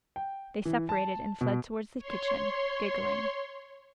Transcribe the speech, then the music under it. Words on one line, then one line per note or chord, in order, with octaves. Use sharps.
They separated and fled toward the kitchen, giggling.
G5
E3
A5
B2
C#5 C6